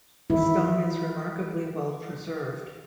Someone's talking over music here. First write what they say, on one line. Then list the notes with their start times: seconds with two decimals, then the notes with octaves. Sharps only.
The stone is remarkably well preserved.
0.30 D#3 E3 E4